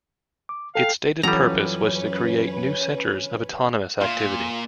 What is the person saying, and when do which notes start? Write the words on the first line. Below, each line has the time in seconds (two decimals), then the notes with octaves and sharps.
Its stated purpose was to create new centers of autonomous activity.
0.49 D6
0.75 A4 F5 G5
1.23 F#2 E3 G3 C#4 F4 A4 B4 A#5
4.01 A#2 F4